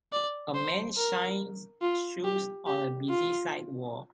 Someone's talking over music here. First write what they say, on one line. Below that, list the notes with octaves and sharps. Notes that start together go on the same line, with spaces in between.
A man shines shoes on a busy sidewalk.
D5
C5
A#4
F4
G4
G4
F4